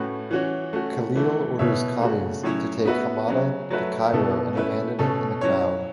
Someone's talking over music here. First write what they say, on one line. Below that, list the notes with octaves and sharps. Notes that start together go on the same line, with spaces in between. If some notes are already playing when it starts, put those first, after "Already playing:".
Khalil orders Khamis to take Hamada to Cairo and abandon him in the crowd.
Already playing: A2 A3 C#4 F#4 B4
E3 C#4 F#4 C#5
A3 C#4 F#4
E3 A3 E4
B2 B3 E4 C#5 E5
C#3 A3 C#4 F#4
A2 F#3 C#4 E4 C#5
B3 F#4 B4 E5
C#3 F#3 C#4
F#3 A3 F#4 B4 E5
B2 B3 E4 A4
A3 C#4 E4 B4 E5
B2 A3 C#4 A4
F#3 C#4 E4 C#5